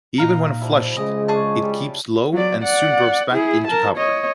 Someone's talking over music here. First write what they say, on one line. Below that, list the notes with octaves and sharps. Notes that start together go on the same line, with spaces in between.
Even when flushed, it keeps low and soon drops back into cover.
A#2 D#4 F5 A#5
F3 G3 E4
C#3 G#3 G#4 D#5 D6
C#4 D4 G#4 A5 C#6
G3
F#3 D5
D5 F#5
E4 G#4
A#4 A5
C#5 D#5